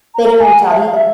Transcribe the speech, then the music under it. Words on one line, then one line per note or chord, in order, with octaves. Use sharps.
they didn't reach out either.
A#5
G#5
F#5
E5
F5
E5